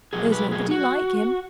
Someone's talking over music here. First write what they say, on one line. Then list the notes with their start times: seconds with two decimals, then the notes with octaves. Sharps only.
There's nobody like him.
0.13 B2 F#3 G#4
0.32 B4
0.52 G#4
0.71 F#4